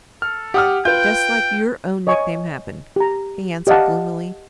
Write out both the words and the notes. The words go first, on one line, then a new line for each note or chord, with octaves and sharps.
"Just like your own nickname happened," he answered gloomily.
A4 F6
G4 F#5 D#6 F6
F4 B4 G5 G6
C#5 D#5 G#5 C#6
G4 A#5
G4 D5 D#5 F5 F#5 A5